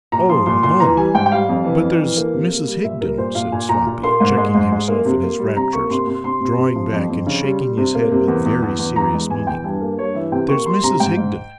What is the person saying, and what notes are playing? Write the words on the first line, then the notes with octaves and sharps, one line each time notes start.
'Oh, mum!--But there's Mrs Higden,' said Sloppy, checking himself in his raptures, drawing back, and shaking his head with very serious meaning. 'There's Mrs Higden.
A#2 A#5
F3 C6
A#2 C6
A#2 C6
E3 A#5
G3 G#5
G#2 G5
G5
G3 F5
F2
E3
F2
E3
A#3
C3
A#3
G3
A#2 E5
G3 A#4
A#2 C5
A#2 F5
A#2 G#5
A#2 A#5
A#2
A#3 C6
G#2
G#3
G#2
G#3
A#3
C3
A#3
G3
C3 A#5
A#3 C#6
C3 C6
C3 C6
C3 C6
C3
C3
F3
F2
F2
C#3
G3
G3
C3
A#3
C3
E2
E2
E2
E2
E2 A#5
G#3
E2 G#5
E2 G5
G2 G#5
A#3
G2 C#5
E3 E5
C3 G5
A#3 C#6
G3 C6
C3 A#5
G#2 G5
G#2